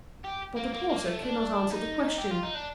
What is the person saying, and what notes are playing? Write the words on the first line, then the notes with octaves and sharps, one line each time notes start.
But the porter could not answer the question.
G4
A#3
A#3
A#3
A3
D4
D#4
G4
F4
D#4
D4